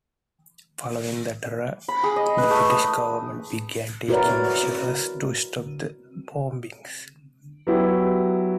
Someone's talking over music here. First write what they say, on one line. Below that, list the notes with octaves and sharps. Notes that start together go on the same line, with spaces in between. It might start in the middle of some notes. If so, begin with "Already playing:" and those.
Following the terror, the British government began taking measures to stop the bombings.
B5
G#4
D#5
B4
A3
D#6
E4 F#4 A#4 B4 C#5 D5
F#3 B3 E4 F#4 G4